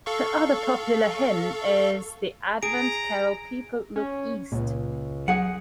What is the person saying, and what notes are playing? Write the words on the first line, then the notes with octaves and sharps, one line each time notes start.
Her other popular hymn is the Advent carol People, Look East!
A4 F5 C#6
G#4 A#5 D7
C#4
C#2 A#2
F#3 G#4 F#5